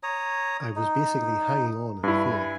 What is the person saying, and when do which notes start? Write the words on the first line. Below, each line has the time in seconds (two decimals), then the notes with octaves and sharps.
I was basically hanging on in fear.
0.03 C#5 A#5 D#6
0.76 D#4
2.04 G2 E4 G#5